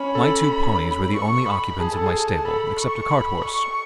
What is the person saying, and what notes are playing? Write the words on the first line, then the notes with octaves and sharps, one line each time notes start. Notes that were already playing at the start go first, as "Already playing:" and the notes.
My two ponies were the only occupants of my stable except a cart-horse.
Already playing: C#4 C#5 B5
A4
C#6
B5
G#4 A5
A4
G#4
A4 B5
C#6
B5
C#6